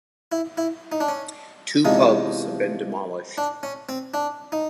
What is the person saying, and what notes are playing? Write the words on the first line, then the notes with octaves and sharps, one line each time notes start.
Two pubs have been demolished.
E4
E4
D#4
D4
C#4
E2 C3 F3 G#3 D#4
D4
C#4
C4
D4
D#4